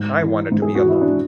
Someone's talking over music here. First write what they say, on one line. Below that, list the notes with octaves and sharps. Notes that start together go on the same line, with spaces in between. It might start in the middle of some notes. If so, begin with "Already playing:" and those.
I wanted to be alone.
Already playing: G#2
E3
G#2
G#4
F#4
E3
E4
D4